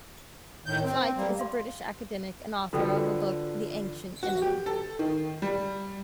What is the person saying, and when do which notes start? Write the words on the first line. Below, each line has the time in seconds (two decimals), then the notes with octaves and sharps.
Flyte is a British academic and author of a book, "The Ancient Enemy".
0.66 A2 D#3 G6
0.84 C4
1.17 G3 A#3
1.39 F5 C6
2.73 D3 F3 F#4 A4 B4 G5
4.23 F#4
4.42 G4
4.66 A4
4.99 D#3
5.42 G3